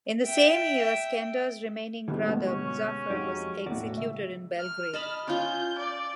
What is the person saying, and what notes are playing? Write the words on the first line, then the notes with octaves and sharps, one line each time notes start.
In the same year, Skender's remaining brother Muzafer was executed in Belgrade.
E5 G5
D2 B2 E3 F3 G3 A3
D2 G2 B2 G#3
C#4
F2 F#3 G#3 D#4 G4
E1 A2 F#4 D5
C#2 E5
F6
D#5 A5 B5
C#4 F4 G6
D5